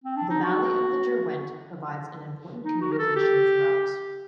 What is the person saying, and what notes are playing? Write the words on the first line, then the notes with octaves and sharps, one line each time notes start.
The valley of the Derwent provides an important communications route.
C4
D4
D#4
F#4
D#4
F#4
A#4
A4
G4